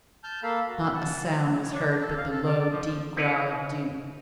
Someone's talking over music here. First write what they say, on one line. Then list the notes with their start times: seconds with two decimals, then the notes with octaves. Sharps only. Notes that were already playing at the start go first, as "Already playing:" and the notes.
Not a sound was heard but the low, deep growl of Duk.
0.24 A5 F6 G6
0.43 A#3 A4 F5 B5
0.68 F#4
0.94 F#5 A5
1.62 C#5
1.74 D4
1.86 D4
2.00 A4
2.17 F5
2.31 A4
2.46 D5
2.59 D5
2.72 F3
3.16 C4 D#4 E4 B4 C#5